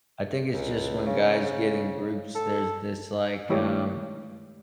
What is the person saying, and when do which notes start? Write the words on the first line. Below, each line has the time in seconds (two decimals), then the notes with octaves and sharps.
I think it's just when guys get in groups, there's this, like, um,
0.54 C#2
1.07 C#3
2.35 A4
3.49 D#3 G#3 A3 E4 G4 C#5